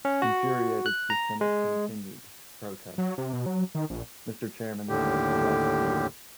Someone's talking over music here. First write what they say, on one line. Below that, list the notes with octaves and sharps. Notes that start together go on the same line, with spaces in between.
Infuriated, Kucinich continued to protest: Mr. Chairman, this is a corrupt deal!
C#4
F#4
F#6
A#5
G#3
F#3
C3
B2
F#3
D#3
A#1
D#2 A2 D3 G4